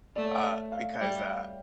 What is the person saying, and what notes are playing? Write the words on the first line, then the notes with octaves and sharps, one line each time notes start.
uh, because, uh,
A3 D5
C#5
D5
E5
F5
G3 G5